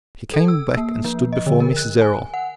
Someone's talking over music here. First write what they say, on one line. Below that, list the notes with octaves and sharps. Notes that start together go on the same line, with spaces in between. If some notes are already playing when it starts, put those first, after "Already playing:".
He came back and stood before Mrs. Errol.
A4
E6
A#3
F3
D#5
D3
A#4
F#6
G#5
F#5